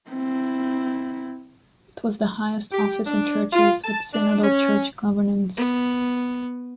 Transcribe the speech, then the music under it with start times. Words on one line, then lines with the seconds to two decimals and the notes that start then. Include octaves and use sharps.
It was the highest office in churches with synodal church governance.
0.11 C4 E4
2.72 G4
3.06 D4
3.53 F4
3.84 A5
4.13 D4
4.44 C#4
5.57 B3